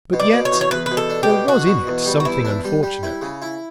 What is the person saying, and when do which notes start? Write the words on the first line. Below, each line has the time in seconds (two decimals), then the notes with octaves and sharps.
But yet there was in it something unfortunate.
0.13 B2
0.20 D5
0.33 B2
0.45 C#5
0.51 E2
0.61 C#5
0.71 E2 B4
0.86 B4
0.91 B2
0.97 A4
1.10 D4
1.23 G4
1.29 B2
1.48 D4 F#4
1.67 B2
1.87 E2
2.06 G3
2.20 F#4
2.25 E2 E4
2.45 D4
2.65 G3
2.83 G3
3.03 E4
3.22 C#3
3.42 E4